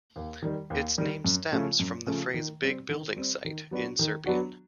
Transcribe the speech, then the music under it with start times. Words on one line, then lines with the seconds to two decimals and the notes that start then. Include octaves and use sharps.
Its name stems from the phrase "big building site" in Serbian.
0.16 D#2
0.42 D#3 G3
0.70 D#2
0.98 D#3 G3
1.25 F#2
1.52 C#3 F3 A3 C#4
1.80 F#2
2.07 C#3 F3 A3 C#4
2.34 D#3
2.62 G3 C4
2.89 D#3
3.16 G3 C4
3.45 D#3
3.71 F#3 B3 D4 F#4
3.99 D#3
4.26 F#3 B3 D4 F#4